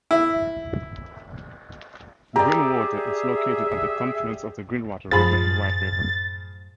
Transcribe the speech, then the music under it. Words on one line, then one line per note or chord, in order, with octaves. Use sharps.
Greenwater is located at the confluence of the Greenwater River and White River.
E4
G4 G#4 D5 E5 A#5
F#2 A2 F3 G#4 B5 A6